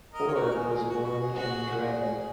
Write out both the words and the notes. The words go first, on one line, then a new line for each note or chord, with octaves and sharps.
Borg was born in Drammen.
A#4 D#5
C#5
F#4 A#4
A#4
G#4
G#4
F#4
F#4
G#4
F#4